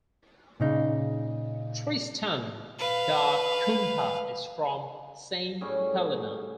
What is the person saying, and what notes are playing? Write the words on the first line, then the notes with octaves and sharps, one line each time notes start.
Tristan da Cunha is from Saint Helena.
A#2 C#3 D#4
B4 F5
A2 G3 C#4 G#4